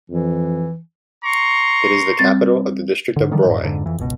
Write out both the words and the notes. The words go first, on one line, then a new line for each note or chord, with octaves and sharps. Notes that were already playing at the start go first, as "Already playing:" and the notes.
It is the capital of the district of Broye.
F2 E3
A#5 C6 C#6
G3 C4 A6
G#2 D3
D3 D#3 F3 G3
F#2 A2
F2 G#2 D3
F2 E3
F#1 C#2 B2